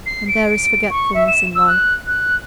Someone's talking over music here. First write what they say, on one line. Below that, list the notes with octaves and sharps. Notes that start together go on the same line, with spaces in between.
And there is forgetfulness in life.
C7
D7
D7
C#6
E5
E7
E6
F#6
F#6